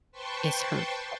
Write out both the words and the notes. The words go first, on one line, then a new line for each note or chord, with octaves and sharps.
It's her fault.
B4 C5 G5 A5 C6 C#6